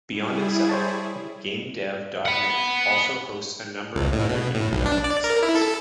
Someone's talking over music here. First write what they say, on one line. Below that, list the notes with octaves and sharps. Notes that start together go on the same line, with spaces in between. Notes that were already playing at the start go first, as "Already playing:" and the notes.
Beyond itself, GameDev dot net also hosts a number of other game development sites.
G3 E4 G#4
C5 C#5 A5
F#5 B5
C#2
A2
B2
A2
B1
D4
D5
A#4
E4
A4